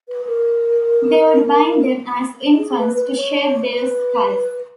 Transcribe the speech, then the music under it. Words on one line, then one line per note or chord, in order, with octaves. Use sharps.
They would bind them as infants to shape their skulls.
B4
A#4
G#4
B4
B4
C#5
B4